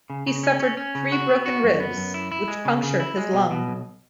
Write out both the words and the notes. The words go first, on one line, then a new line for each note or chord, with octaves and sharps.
He suffered three broken ribs, which punctured his lung.
C#3
C#3
C#4
C#4
C#4
C#3
F#4
B3
F#4
F#2
B3
F#2
E4
E4
G#3
C#3
C#3
E4
G#3
B2
B2
B1